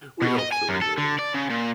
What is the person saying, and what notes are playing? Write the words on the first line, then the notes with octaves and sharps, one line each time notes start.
We hope so anyways.
B2
D#5
G#5
F#2
A4
D3
D5
C#3
A#2